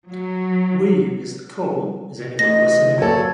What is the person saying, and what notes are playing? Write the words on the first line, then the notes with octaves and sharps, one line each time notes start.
"We" is the call, is anyone listening?
F#3
C3 E3 A3 D#5 A#6
F#3 A#3 A4 B4 C#5 D5